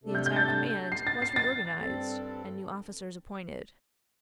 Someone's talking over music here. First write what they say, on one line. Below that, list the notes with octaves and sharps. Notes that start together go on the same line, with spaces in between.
The entire command was reorganized, and new officers appointed.
C3 A3 D4 A4
G6
G6
A6
A6
C7
A6
C7
A6
G2 G3 C4 A4